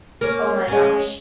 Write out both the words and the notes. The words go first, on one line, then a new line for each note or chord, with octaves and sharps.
Oh my gosh.
A#3 C#4
G#3 C#4